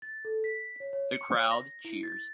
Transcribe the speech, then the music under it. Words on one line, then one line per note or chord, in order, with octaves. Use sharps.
The crowd cheers.
A6
A4
B6
C#5
C#5
C#7
C#5
A#6
E4
A6